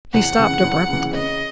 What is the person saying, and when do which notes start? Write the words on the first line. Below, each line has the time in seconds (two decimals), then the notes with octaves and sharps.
He stopped abruptly.
0.14 E2 F#5
0.39 C#3 E3
0.64 E2
0.89 C#3 E3
1.14 C#3 D#5